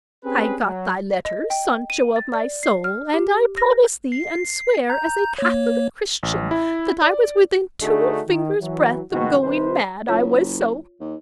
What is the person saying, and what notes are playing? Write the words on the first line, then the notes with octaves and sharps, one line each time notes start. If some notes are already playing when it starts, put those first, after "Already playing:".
I got thy letter, Sancho of my soul, and I promise thee and swear as a Catholic Christian that I was within two fingers' breadth of going mad I was so happy.
C4 C#4 G4 G#4 B4
F#3
D#5
G5
D#7
A6
D5
C7
F6
G4
A#6
C7
A#5 G6
A#3 C#5
A1
E4
D5
D3 A3 D4 D#4 F#4 G#4
D#3
E3 F#3
G#2 B2 D#3 F3 F#4
C2 C3 D#3 B4 C5
F#1 F4 C#5
D#2